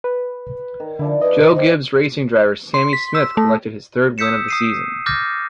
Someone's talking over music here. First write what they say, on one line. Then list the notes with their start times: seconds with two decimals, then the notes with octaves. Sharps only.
Joe Gibbs Racing driver Sammy Smith collected his third win of the season.
0.04 B4
0.80 D#3
0.99 D3 F3 D4 E4
1.22 B4 D#5
1.55 G4 C5 F#5
2.74 C6
2.93 B6
3.15 E6
3.37 A3
4.18 D#6 E6 G6 B6 C#7 E7
4.48 D#6 C7 D#7
5.06 D6 F6 G6 A6 A#6